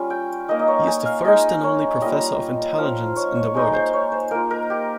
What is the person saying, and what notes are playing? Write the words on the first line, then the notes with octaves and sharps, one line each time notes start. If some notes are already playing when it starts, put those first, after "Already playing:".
He is the first and only Professor of Intelligence in the world.
Already playing: G3 C#4 F4
G5
A#3 D#4 D#5
D#5
C#5
G#5
F5
G#3 D#4 D#5
C#5
G3 A#3 F4 D#5
F3 A#3 F4 F5
C#5
C#5
G#3 D#4 C#5
C5
C#5
C5
A#3 F4 A#4
A#4
G4